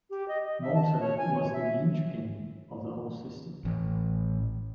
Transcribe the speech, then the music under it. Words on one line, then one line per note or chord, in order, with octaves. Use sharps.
Malta was the lynch-pin of the whole system.
G4
D#5
D#5
E5
A5
C#5
G#5
C#5
E5
A1